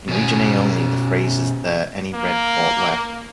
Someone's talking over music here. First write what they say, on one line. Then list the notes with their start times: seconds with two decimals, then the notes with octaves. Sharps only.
In Region A only, the phrase Is there any red port left?
0.09 B2 C#4
2.14 A#3